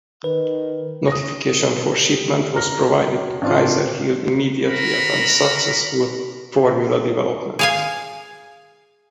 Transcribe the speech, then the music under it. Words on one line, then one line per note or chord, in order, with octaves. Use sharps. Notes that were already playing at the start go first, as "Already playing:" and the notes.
Notification for shipment was provided to Kaiser-Hill immediately upon successful formula development.
D#3 B4
D#6 A#6
B2
G4
A#5 F6 A#6
F#4
A1 C4 D4 F4
F#4 A#4 B5
G#4 F5 G#5